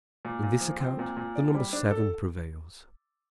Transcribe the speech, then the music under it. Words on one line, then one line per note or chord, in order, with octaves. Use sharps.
In this account the number seven prevails.
A#2
A#2
F3
C4
A#2
A#2
D5
G3
D4
A4